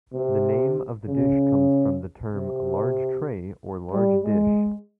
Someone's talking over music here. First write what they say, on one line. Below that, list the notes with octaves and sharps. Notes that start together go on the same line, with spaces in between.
The name of the dish comes from the term "large tray" or "large dish".
C3
C#3
C3
G3
G#3